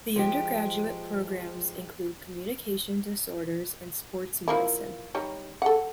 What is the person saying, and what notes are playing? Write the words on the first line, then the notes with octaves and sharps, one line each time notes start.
The undergraduate programs include Communication Disorders and Sports Medicine.
F3 G#3 G4
F3 A#3 E4
G3 D#4 C#5
A4 F#5